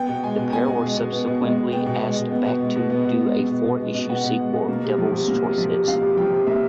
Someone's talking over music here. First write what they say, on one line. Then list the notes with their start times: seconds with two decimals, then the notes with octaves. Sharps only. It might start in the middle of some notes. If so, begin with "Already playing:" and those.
The pair were subsequently asked back to do a four-issue sequel, "Devil's Choices".
Already playing: B3 G5
0.09 B2
0.23 G#3 G#5
0.38 B2
0.53 B3 G#5
0.68 B2
0.83 G#3
0.97 B2
1.12 B3
1.27 B2
1.41 G#3
1.57 B2
1.72 B3 G5
1.86 B2
2.01 G#3
2.17 B2
2.32 B3
2.46 B2
2.61 G#3
2.76 B2
2.90 B3
3.05 B2
3.20 G#3
3.35 B2
3.50 B3
3.65 B2
3.80 G#3
3.94 B2
4.09 B3 F#5
4.24 B2
4.39 G#3
4.54 B2
4.68 A#3
4.84 C3
4.98 F3
5.13 C3
5.28 A#3
5.43 C3
5.58 F3
5.73 C3
5.88 A#3 F5
6.02 C3
6.17 F3 G5
6.32 C3
6.47 A#3 E5